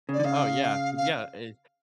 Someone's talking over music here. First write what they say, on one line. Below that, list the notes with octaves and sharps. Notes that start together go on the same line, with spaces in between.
Oh, yeah, is yeah, i
C#3 D5
D3
C#3 F5
F5